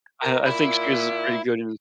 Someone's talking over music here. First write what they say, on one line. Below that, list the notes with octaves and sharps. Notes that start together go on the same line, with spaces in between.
I I think she was, uh, pretty good in
A#4
A#2 E4